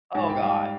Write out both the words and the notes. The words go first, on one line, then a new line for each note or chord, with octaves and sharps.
Oh god.
G#2 G#5
G5
G3 F5